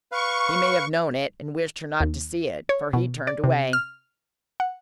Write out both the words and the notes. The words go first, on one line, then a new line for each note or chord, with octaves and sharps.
He may have known it and wished her not to see it, for he turned away.
B4 F5 C#6
D#2
C#5
B2
D5
C3
F6
F#5